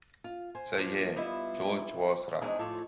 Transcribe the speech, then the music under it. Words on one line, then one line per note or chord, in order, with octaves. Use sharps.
So yeah, George was right.
F4
C5 G#5
F3 A#3
G3 B3 E4 F4 D#5 E5
E2 G#3 C4 D4 D#4 G#4
A2 F3 F4 A4 C#5 D5